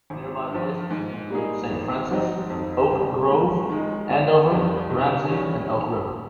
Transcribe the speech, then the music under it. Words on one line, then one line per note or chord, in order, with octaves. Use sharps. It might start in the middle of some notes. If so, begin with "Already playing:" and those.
Nearby places include Saint Francis, Oak Grove, Andover, Ramsey, and Elk River.
G#1
G2 F3
G#2
G3 A#3 D#4 G#4
G#1
G#2 F3 C4 D#4
F2
C#3 G3
G#2
D#3 G#3 D#4
G1
F2 D#3 G3
C3
D#3 G3 C#4